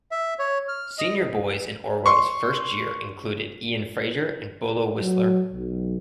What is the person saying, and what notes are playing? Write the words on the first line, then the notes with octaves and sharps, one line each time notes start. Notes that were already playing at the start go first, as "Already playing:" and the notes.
Senior boys in Orwell's first year included Ian Fraser and Bolo Whistler.
E5
C#5
F6
D#5
C6 C#6
F#3
B1